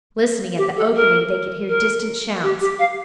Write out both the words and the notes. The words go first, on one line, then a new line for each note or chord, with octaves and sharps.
Listening at the opening they could hear distant shouts.
G4
A4
A#4
A#4
G4
G4
F5